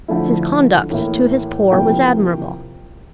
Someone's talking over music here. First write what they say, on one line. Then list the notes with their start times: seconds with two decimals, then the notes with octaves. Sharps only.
His conduct to his poor was admirable.
0.08 D3 F3 A3 E4
0.90 A2 E3 A#3 E4
1.72 C3 F3 A#3 E4 G5